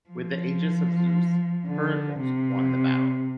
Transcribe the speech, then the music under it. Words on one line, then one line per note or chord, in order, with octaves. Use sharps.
With the aegis of Zeus, Heracles won the battle.
F3
D3
C3